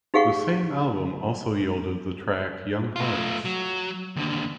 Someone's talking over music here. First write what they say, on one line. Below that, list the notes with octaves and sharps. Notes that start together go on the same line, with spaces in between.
The same album also yielded the track "Young Hearts".
D#4 G4 G#4 F5 F#5 C#6
A3 F4
F#3
D#2 D3